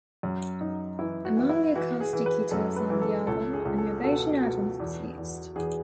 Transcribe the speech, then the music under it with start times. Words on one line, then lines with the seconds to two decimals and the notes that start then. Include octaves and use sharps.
Among the acoustic guitars on the album, an Ovation Adamas was used.
0.23 F#2
0.61 F#2 D#4
0.99 E3 E4
1.25 F#4
1.37 E3
1.49 E4
1.76 E3 F#4
2.00 G#4
2.13 E3
2.26 B4
2.51 F#2 A4
2.76 B4
2.90 E3
3.02 A4
3.27 C#2 A4
3.53 G#4
3.65 C#2
3.78 A4
4.04 B2 A4
4.42 B2
4.80 E2
5.18 E2
5.56 E2 G#4